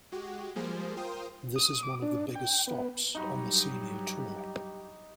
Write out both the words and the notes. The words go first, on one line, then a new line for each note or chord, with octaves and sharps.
This is one of the biggest stops on the Senior Tour.
G#3 F#4 G4
F3 G3 G#3 A#3 G#4 C5
F4 A#4 C5 G5 C6 D#6
D#6
D6
D4
G5
B3
G2 F#3 D#4 F#4 G4 B5